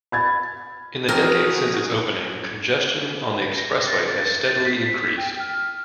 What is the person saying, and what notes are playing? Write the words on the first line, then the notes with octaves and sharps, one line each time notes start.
In the decades since its opening, congestion on the expressway has steadily increased.
B5 G#6 A6
F3 C4 F#4 G#4 A#4
A#6
A6
A6
B6
G5
F6